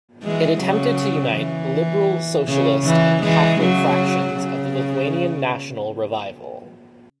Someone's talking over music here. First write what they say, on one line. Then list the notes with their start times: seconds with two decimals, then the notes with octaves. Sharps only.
It attempted to unite liberal, socialist, and Catholic fractions of the Lithuanian National Revival.
0.23 E3 G#3
0.61 C#3 F#3
1.36 E3
2.48 C#3
2.85 E3
3.23 E3 G#3
3.60 C#3 F#3
4.35 C#3